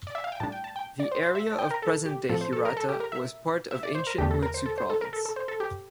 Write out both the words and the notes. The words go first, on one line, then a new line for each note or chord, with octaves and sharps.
The area of present-day Hirata was part of ancient Mutsu Province.
D5
E5
F5
G5
A2 G3 D4 A5
G5
A5
G5
D5
C5
C5
E5
A5
G5
A#4
A4
G4
A2 F3 C4 A4
C5
A4
A#4
A4
G4
A#4
E5
E5
D5
C5
A#4
E2 D3 A3 D4 G4
A4
A#4
C5
A4
C5
A4
A#4
A4
A4
C5
A4
G4